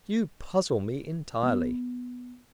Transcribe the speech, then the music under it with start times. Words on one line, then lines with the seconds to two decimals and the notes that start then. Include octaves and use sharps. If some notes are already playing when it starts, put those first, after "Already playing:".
"You puzzle me entirely."
1.43 B3